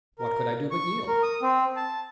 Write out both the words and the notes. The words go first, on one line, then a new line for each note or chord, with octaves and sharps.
What could I do but yield?
A#4
C#6
A#4
D#6
C4
A5